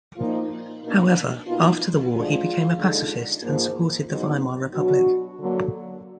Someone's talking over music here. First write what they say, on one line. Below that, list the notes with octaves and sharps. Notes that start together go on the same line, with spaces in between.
However, after the war he became a pacifist and supported the Weimar Republic.
A#2 F3 A#3 D#4 F4
B2 A#3 D4 D#4
B2 A#3 D#4 F4
D2 D3 F3 G#3 D4 F4
D#2 D3 G#3 D#4
G#2 F3 A#3
G#2 F#3 B3 D#4
B2 F#3 D4 F#4
D3 F#3 A#3